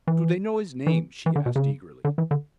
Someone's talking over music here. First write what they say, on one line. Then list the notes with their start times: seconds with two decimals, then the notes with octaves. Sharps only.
"Do they know his name?" she asked eagerly.
0.07 E3
0.86 E3
1.26 E3
1.36 D3
1.46 B2
1.56 C#3
2.05 D3
2.18 E3
2.31 D3